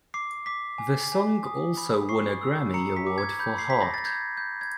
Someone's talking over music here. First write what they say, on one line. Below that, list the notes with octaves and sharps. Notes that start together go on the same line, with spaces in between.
The song also won a Grammy Award for Hart.
D6 C7
D6 B6
G#5
G#5
D#6
B5
C#6 C7
E6
A#5 C#7
B6
D6
G#6
B5 G6
C7
B5 B6
A#6
A6
G6 G#6
G6
G#6